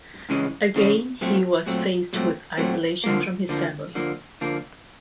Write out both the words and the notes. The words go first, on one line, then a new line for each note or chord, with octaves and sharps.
Again he was faced with isolation from his family.
C#2 C#3 E3 G#3 C#4
C#2 C#3 E3 G#3 C#4
A#2 F#3 A3 C4
A#2 F#3 A3 C4
A#2 F#3 A3 C4
A#2 F#3 A3 C4
D3 F3 A#3
D3 F3 A#3
D3 F3 A#3
D3 F3 A#3